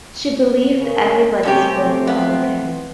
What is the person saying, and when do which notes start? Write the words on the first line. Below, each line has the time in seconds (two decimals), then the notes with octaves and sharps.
She believed everybody spoke well of him.
0.79 C#3 A#4
1.43 C3 A3 C4 C#4 G4
2.07 B3